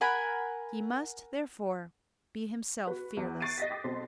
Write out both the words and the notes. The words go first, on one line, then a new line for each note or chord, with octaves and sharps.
He must, therefore, be himself fearless.
A#4 F#5 G#5 B5
F#4 B4
E2
C#6 F#6 A6 C7 D7 D#7
D#5 A#6 B6
G5 D6 D#6
B1 B2 C4 C6